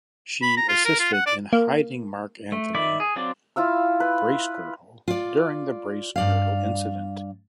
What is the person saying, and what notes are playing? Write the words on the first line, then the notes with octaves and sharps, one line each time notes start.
She assisted in hiding Mark Anthony Bracegirdle during the Bracegirdle incident.
B5
A#5
F4
A#4
F4
F#5
D5
A#3
A3
D#3 D5 E5 B5 D6
G#4
F#3 C4 D4 F4 D5
E4 F4 F5 E6
B4
F4 D5
G2 D5 F5